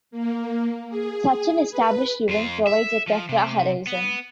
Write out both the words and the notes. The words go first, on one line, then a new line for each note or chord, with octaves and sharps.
Such an established event provides a "tephra horizon".
A#3
G#4
B4
F2 F4
E5
F3
C3
B3